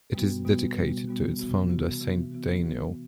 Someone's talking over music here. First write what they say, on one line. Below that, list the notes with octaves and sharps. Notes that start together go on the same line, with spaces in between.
It is dedicated to its founder, Saint Deiniol.
B2 G3 B3 F#4
B2 G3 B3 F#4
B2 G3 B3 F#4
B2 G3 B3 F#4
C3 E3 B3 F#4
C3 E3 B3 F#4
C3 E3 B3 F#4
C3 E3 B3 F#4
E3 B3 F#4